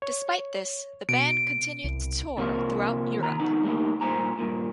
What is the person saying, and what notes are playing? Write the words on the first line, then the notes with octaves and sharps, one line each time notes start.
Despite this, the band continued to tour throughout Europe.
C#5
B2 D7
C2
C3 F3 A#3 C#4 F4
D#2 A#5
F3 B3 D4 D#4
G3 A3 A#3 D#4
G2 A#2 C5 G#5 A#5
G2 A#2